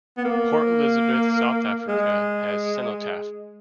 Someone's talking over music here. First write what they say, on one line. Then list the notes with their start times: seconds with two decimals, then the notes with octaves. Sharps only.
Port Elizabeth, South Africa, has a cenotaph.
0.17 B3
0.25 A#3
1.88 G#3